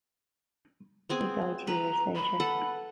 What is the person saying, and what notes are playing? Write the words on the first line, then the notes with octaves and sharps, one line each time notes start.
He died two years later.
B3 C4 G#4
B4 A#5
B5
A4 B4 F#5